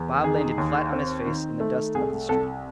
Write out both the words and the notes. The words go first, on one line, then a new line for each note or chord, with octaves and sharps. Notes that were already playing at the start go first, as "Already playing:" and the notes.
Bob landed flat on his face in the dust of the street.
Already playing: E2
D#3 G#4
D#2
C4
D#3
A3
C2 G#4
C2 A4